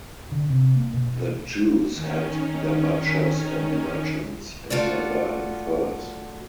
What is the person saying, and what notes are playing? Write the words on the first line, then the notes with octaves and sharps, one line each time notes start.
The Jews had their butchers and merchants in leather and furs.
D3
C3
A#3
B2
D#3 C#4
A3 F4 F#4 D5